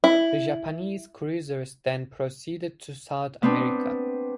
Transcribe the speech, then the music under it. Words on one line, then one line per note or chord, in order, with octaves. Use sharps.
The Japanese cruisers then proceeded to South America.
E4
B3 C4 D4